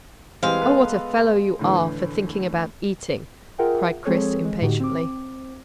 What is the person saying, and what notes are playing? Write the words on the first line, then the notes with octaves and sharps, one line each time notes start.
"Oh, what a fellow you are for thinking about eating!" cried Chris impatiently.
E3 G3 G#3 C4 F5
B3 A4 B4
A2 D3 E3
F4 G#4 A#4 E5 F#5 G5
F3 G#3 C4 G#4 A4 C#5
G#3
A2 D3 D#4 F#4 G4
C4 D6